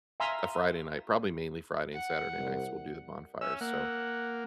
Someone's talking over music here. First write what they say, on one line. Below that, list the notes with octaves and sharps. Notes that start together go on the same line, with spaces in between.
a Friday night- probably mainly Friday and Saturday nights we'll do the bonfires, so
E5 F5 G#5 A#5 C6 E6
F#5
C2
C#4 E5 E6
A#3 F#5